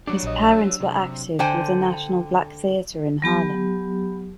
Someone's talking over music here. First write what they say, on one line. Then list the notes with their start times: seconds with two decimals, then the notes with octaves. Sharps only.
His parents were active with the National Black Theater in Harlem.
0.07 F#3 D4 G4 C#5 D6
0.23 A#1 D#5
0.51 E6
0.80 C3
1.39 D3 C5 G5 G#5
3.22 F#3 B3 G4